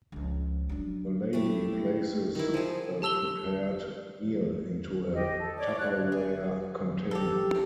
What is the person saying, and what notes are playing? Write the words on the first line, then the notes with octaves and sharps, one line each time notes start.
The lady places the prepared meal into a tupperware container.
C#2 F3
F#3 D4
A3 E4 G4
D#3 E4
F3 G#4
G4 A5 E6 F7 G7
G4 D#5
A4
C#5 D5 D6
C#5 D5 F#6
G#4
G4 A4